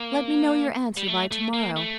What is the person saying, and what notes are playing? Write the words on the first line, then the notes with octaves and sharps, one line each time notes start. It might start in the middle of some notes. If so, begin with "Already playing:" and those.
Let me know your answer by to- morrow.
Already playing: A#3
G3
A3
A3
A#3
A3